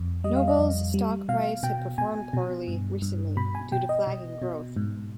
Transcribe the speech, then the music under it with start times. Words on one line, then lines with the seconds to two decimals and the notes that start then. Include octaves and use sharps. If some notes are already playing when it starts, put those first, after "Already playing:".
Novell's stock price had performed poorly recently due to flagging growth.
Already playing: F2
0.24 G3 D#5
0.36 F5
0.48 D#5
0.59 F2
0.94 G3
1.29 B2 F5
1.63 B2 G5
1.98 B2 G#5
2.33 B2
2.68 G2
3.02 G2
3.37 B2 B5
3.55 G#5
3.72 B2 G5
3.89 D#5
4.07 B2
4.42 B2
4.76 G#2